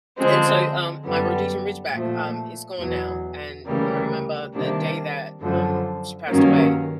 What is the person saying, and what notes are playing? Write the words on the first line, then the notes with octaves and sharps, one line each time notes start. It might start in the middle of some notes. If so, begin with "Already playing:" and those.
and so um, my Rhodesian Ridgeback, um, is gone now, and I remember the day that, um, she passed away.
D3 F3 G#3 C4
F#2 D3 G3 B3
A#2 F3 A3
E2 B2 F#3
D2 C#3 E3 G3 A#3
C3 D#3 G3 A#3 D4
F#2 D3 F3
G2 D#3 F#3 A#3 C#4